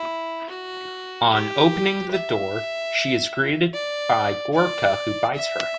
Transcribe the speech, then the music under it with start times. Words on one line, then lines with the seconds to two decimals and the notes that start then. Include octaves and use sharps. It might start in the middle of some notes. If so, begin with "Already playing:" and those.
On opening the door, she is greeted by Gorca who bites her.
Already playing: E4
0.50 F#4
1.32 G4
2.11 E5
3.73 D5
4.54 D5
5.35 E5